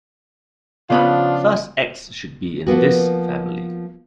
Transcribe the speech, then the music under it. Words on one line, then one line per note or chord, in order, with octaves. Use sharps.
Thus "X" should be in this family.
C#3 F3 B3 D4 F4 B5
F3 A#3 B3 F#4